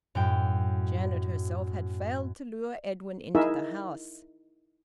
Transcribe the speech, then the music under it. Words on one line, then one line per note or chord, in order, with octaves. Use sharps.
Janet herself had failed to lure Edwin into the house.
F#2 A2 G5
D#4 E4 G#4 A#4 E5